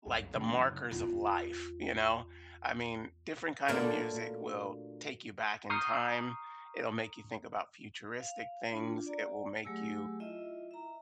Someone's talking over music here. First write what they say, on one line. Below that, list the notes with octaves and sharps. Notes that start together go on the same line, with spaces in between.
like the markers of life, you know? I mean, different kind of music will take you back in time, it'll make you think about futuristic things, it will make you,
C2 F#2
C3 E3 A3 D4
F#2 C#3 F#3
E2 F4
A#2 D3 F#3 A3 A#3 D4
A#5 C#6 D#6 F6 G6 C7
F5
D4 F4
D5 A#5
F#3 A3 G4 G#4 G#5 E6
E4 F4 D#5 E5
E5 A#5